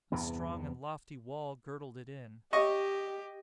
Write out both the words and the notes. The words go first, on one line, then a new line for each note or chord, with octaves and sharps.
A strong and lofty wall girdled it in.
E2 G2 C3 B3
G4 D#5 C#6